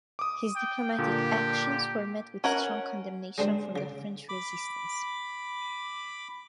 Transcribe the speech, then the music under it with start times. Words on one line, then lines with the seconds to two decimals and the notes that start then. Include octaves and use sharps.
His diplomatic actions were met with strong condemnation from the French Resistance.
0.19 D6 D#6
0.56 G5
0.98 A#2 D3 A#3 G4
2.44 C#4 A#4 F#5
3.38 G3 G#3 D4 C5
3.76 C#3 D6
4.29 B5 D6